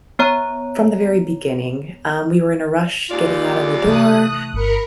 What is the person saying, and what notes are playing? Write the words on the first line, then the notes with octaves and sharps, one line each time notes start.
from the very beginning, um, we were in a rush getting out of the door,
B3 C#5 A#5
D#2 G#2 F4 D5
C3 E3 A3 D#6 F#6
G1 A#4 B5 C#7